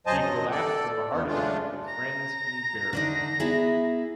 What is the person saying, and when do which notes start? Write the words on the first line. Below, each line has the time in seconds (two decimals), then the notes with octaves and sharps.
He collapsed from a heart attack with friends in Bergen.
0.07 D#2 F#3 C5 D#5 G#5 A5
0.18 G2 F#3 D#5
0.51 A4 D5
1.11 E2 B3
1.28 C#3 G#3 A3 D4 F4
1.88 A#5
2.93 D3 D4 D#4
3.40 B3 E4 G#4